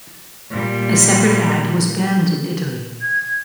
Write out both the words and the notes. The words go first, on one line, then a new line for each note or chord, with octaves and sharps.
A separate ad was banned in Italy.
A#2 G3
G#6